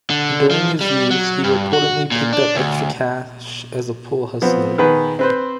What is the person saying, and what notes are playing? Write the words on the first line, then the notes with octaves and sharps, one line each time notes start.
During his youth, he reportedly picked up extra cash as a pool hustler.
D3
F3
G3
F#3
G2
F#4
A#2
D4
D2
F3 B3 C4
D#3 B3 G#4 B4
C4 B4 C5